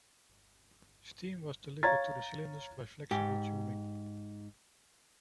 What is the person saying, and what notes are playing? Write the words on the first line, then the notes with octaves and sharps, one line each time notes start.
Steam was delivered to the cylinders via flexible tubing.
C#5 F5 A#5 G#6 A6
G#2 G4